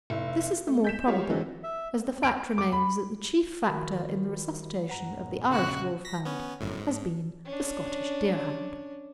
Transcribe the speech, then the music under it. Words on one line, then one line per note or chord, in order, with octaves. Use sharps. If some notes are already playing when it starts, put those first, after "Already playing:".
This is the more probable, as the fact remains that the chief factor in the resuscitation of the Irish Wolfhound has been the Scottish Deerhound.
F1 E4
A3
G6 B6 E7
G#3 F4 G4 C#5
E3 F#3 G#3 C4 D4
E5
D7
D6
B5
D#3 F3 G3 F#4 A#4 B5
E2 G2 A#2 F#5 A#5
C#3 F#4 E5 F#6
A#6 B6
B3 C#4
G1 F#2 A2
G#2
C#4 D4